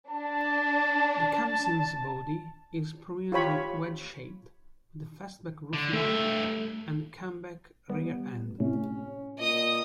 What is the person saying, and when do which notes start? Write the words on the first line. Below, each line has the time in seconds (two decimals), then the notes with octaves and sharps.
The Khamsin's body is prominently wedge-shaped, with a fastback roofline and kammback rear end.
0.11 D4 A5
3.32 F4 G4 C#5 B5
5.73 D3
5.93 G2 A3 A4 E5
7.90 G3 B3
8.60 A2 C3 C#4
9.38 A#2 D#5 D#6